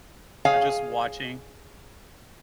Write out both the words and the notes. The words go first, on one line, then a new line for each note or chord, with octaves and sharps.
They're just watching
G#4 C#5 F5 G#5